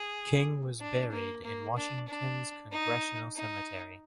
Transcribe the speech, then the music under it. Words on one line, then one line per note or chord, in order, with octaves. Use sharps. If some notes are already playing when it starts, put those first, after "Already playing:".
King was buried in Washington's Congressional Cemetery.
Already playing: G#4
D4
A#3
A#3
D4
D4
D#4
D#4